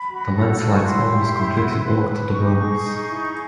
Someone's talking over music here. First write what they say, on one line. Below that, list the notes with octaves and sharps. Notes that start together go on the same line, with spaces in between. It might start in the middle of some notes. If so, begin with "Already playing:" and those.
The landslides almost completely blocked the roads.
Already playing: B5
F#4
A4
F#4
C#6
E4 C6
G4
E4
F#4
B4
B4
D#4 C#6
D6
G#4 C#6
D#4
E4
G#4